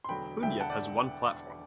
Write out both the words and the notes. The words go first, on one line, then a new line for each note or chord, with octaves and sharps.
Bunyip has one platform.
C6
E1 D2 D3 F#3 G5 B5
E1 D2 D3 F#3 E5 G5
F#5 A5
D5